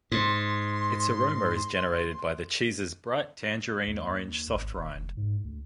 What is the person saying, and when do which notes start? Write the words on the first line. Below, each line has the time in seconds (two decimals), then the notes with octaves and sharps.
Its aroma is generated by the cheese's bright tangerine-orange soft rind.
0.12 G#2 C6
3.87 D#2
4.54 G#1
4.76 D#1
4.95 F1
5.17 G#2
5.44 D2